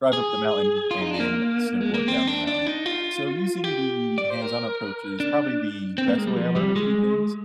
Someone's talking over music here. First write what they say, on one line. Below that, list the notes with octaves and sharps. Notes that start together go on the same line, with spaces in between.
drive up the mountain, and then snowboard down the mountain. So, using the hands-on approach is probably the best way I learn a few things,
G#4
F4
D#4
D4
A#3
G#3
A#3
C4
D4
D4
D#4
F4
G4
D5
C5
A#4
D4
C4
A#3
G#3
G3
F3
G3
G#3